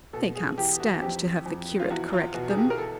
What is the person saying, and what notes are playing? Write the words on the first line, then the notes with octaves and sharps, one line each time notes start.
They can't stand to have the curate correct them.
B2 A4
G#4
E2 G4
F#4
F2 G4
F2
F4
E2 F#4
F4
B2 F#4
G#4
G4
A#4
A4